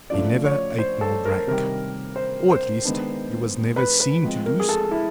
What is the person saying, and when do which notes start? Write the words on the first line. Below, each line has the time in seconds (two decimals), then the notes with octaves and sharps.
He never ate nor drank; or, at least, he was never seen to do so!
0.10 C#3 F3 A3 D4 D5
0.45 C#5
0.79 C5
1.01 A4
1.25 A#4
1.47 C3 D#3 G3 A#4
2.16 C5
2.51 C5
2.85 D#3 G#3 B3 D4
3.76 B4
4.00 B4
4.23 F3 G#3 C4
4.46 A#4
4.60 G#4
4.69 A4
4.91 E4